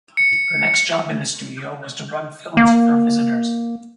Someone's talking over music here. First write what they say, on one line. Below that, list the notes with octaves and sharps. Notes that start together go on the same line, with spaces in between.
Her next job in the studio was to run films for visitors.
C#7
A#3